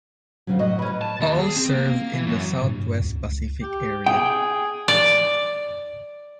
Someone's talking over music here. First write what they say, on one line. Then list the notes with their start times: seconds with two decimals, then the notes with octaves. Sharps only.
All served in the Southwest Pacific Area.
0.47 D2 C#3 F#3
0.59 A2 F#4 D#5
0.79 C#4 B4
1.01 A5
1.20 D#2
1.39 G#4
1.57 C4
1.74 A#3
2.14 E3
2.26 F#2
2.62 G2
3.00 C#2
3.63 G4
4.06 G#4 G5
4.88 D5